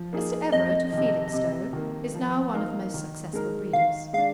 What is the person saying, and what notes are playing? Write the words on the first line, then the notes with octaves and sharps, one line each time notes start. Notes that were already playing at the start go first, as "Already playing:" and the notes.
Mr. Everett, of Felixstowe, is now one of the most successful breeders.
Already playing: F3
A#3 D#4 G#4
F2 D#5
C3 D#3
C3
D#3 A#3
F3
A#3 D#4 A#4 F5
D#3
G#3 D#4 A#4
D#3 F5
G#3 D4 F5